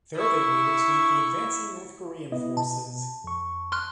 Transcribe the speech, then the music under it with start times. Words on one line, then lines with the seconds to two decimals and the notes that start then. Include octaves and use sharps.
There they waited to meet the advancing North Korean forces.
0.16 E4 C#6
2.32 B3 E4 D#5
2.57 B2 A5
3.24 F2 C#6
3.72 C6 F6 F#6